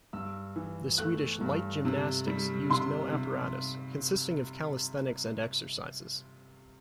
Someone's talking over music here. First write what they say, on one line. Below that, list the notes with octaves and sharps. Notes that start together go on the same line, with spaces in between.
The Swedish "light gymnastics" used no apparatus, consisting of calisthenics and exercises.
G2 E6
E3
A3 F#6
G2
C3
G3
C3 C6
C3